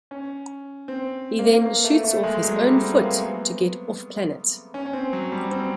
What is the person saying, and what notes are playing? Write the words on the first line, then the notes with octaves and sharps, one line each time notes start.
He then shoots off his own foot to get off-planet.
C#4
C4
A#3
A#3
A3
A3
G#3
F#3
G3
C4
A#3
B3
C#4
C#4
C4
F#3
G3
C4